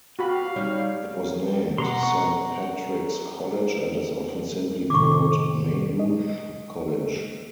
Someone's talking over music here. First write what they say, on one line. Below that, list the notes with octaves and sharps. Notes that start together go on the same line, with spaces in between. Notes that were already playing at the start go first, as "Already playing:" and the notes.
It was named Saint Patrick's College and is often simply called Maynooth College.
F#4 G4 F5 B5
G3 D#4 C#5
B2 F#5 A#5 C6
C#6
A2 C3 D#3 C#6 D6
D#5